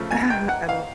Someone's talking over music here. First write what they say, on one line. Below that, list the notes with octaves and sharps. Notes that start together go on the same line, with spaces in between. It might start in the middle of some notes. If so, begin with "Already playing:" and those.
Ah, I l
Already playing: C#3 F3 A3
G#5
G5
F#5
F5